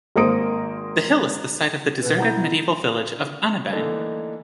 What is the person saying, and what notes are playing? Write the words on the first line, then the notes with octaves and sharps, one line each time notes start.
The hill is the site of the deserted medieval village of Anebein.
G#1 A#3 A#4 C5 D#6 D7
E2 B2 B4
E4 F#5 A#5 G6
D3 E3 A3 A#3 D4 D#4